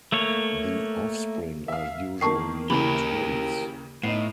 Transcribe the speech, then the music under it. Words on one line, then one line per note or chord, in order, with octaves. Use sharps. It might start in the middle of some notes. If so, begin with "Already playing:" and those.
The offspring are usually twins.
A3 A#3 C#5
E5 F5
D#3 A#3 A5 C#6 C7
D#2 C#3 E3 G4 A#4 B5
A2 B3 D#4 C7